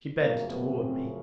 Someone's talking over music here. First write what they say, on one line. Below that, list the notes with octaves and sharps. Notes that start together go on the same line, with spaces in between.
She bent toward me.
F#2 C#3 F3 A3 A#3
B3
C4